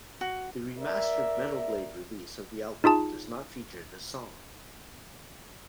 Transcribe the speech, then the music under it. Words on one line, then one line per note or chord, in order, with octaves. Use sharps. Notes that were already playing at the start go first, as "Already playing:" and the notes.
The remastered Metal Blade release of the album does not feature this song.
F#4
A#4 D5 E5
D#4 F4 G#4 A5